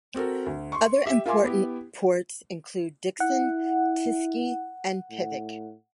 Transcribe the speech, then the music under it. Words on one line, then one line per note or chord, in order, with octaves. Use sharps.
Other important ports include Dikson, Tiksi, and Pevek.
C4 F#4 A4 A#4
D2
C6 C#6
G4 E5
F4 A#4 E5 G#5 C6 D6
B3 E4 G4
E4 F#5
A2